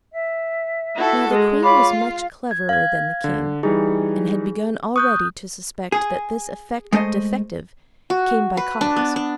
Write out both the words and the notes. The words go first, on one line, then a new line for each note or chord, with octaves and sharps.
Now the queen was much cleverer than the king, and had begun already to suspect that "this effect defective came by cause."
E5
E4 F#4 A4
G#3
F4 C#5 B5 D6
F5
G#6
F5 G#6
D3
E3 G3 D#4 G#4
C#6 D#6 F#6 G6
G#4
G#3 A3 C5 D#5
F#4
B4
D4
B3
D4